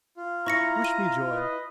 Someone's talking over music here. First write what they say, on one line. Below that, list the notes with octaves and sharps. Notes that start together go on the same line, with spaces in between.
Wish me joy.
F4
E4 A#5 C#6 A#6 C#7
D#7
B4 D#5